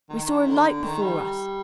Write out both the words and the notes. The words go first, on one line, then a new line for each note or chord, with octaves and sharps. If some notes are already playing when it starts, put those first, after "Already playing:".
We saw a light before us.
D#3
D3
D#3
G3